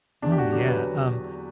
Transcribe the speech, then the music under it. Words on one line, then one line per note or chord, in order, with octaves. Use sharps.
No. Yeah, um,
E2 D4
G4
F#4
D3 F#3 G4
B4